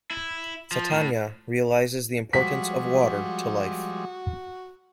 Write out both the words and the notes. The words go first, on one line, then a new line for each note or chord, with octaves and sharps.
Satanaya realizes the importance of water to life.
E4
F3
A2
F3 G3 G#3 F#4 B6